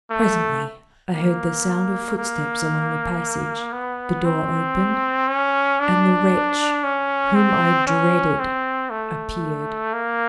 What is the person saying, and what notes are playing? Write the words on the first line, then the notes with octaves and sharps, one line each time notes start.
Presently I heard the sound of footsteps along the passage; the door opened, and the wretch whom I dreaded appeared.
A3
A#3
A#3
B3
C4
C#4
D4
C#4
C4
C#4
C4
A3
A#3